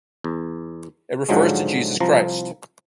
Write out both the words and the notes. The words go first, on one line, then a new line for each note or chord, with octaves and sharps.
It refers to Jesus Christ.
E2
G#2 D3 F3 F#3 G#3
C2 F3 A#5